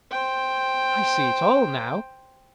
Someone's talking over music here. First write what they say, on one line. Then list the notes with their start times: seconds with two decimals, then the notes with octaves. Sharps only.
I see it all now.
0.11 C5 G5